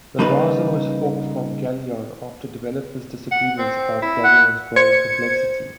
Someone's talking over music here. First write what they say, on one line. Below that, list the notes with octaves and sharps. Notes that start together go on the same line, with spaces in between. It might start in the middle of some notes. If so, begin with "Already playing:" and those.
The browser was forked from Galeon, after developers' disagreements about Galeon's growing complexity.
C#3 G3 A#3 D#4 B4
F#5
C4
E4
F#5
C5 G#6 C#7